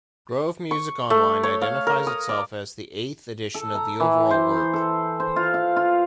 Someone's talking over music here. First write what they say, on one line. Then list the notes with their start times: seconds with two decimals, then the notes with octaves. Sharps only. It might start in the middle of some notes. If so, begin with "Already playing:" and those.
"Grove Music Online" identifies itself as the Eighth Edition of the overall work.
0.71 C#6
1.10 A3
1.43 C#5
1.62 F5
1.87 A#4
2.07 D#6
2.29 D5
3.55 A4
3.75 A#5
4.00 E3
4.31 C5
4.73 A4
5.20 C5
5.36 F4
5.54 F5
5.76 F4